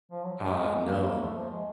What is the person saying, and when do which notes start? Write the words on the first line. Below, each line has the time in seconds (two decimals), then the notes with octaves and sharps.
Ah, no.
0.11 F3
0.23 F#3
0.35 F#3
0.46 G#3
0.58 G#3
0.81 A#3
1.04 A#3
1.20 A3
1.35 F3
1.50 G#3